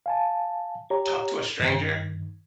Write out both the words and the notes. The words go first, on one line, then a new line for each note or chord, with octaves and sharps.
talk to a stranger?
F5 G#5 A5
G4 C#5 A#5
G2 D#3